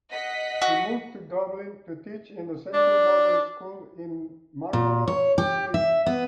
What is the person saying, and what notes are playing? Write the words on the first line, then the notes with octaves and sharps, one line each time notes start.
She moved to Dublin to teach in the Central Model School in Marlborough Street.
D#5 F#5 B6
F#4
D4
A#2
C#5
G4
E5
B3